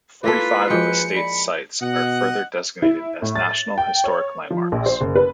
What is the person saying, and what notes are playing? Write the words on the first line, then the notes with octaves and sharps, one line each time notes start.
Forty-five of the state's sites are further designated as National Historic Landmarks.
A#3 E4 F4 A4 B4 B6
F3 G#3 F4 F#4 G5 C#7
D5 B5
B2 D#5 F#5
E4
A2
A6
G5
C#5
F3
A#1
C5
F#1
B4